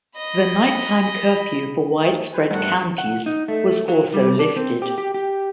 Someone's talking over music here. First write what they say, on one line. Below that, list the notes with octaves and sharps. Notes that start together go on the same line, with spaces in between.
The nighttime curfew for Widespread counties was also lifted.
D#5 B5
G#2 A3
B4 C5 G#5
G2 F#3 A3 B3 F#5
F#5
D#4
A3
F#3
G3
D4
C4
G4
G4
G4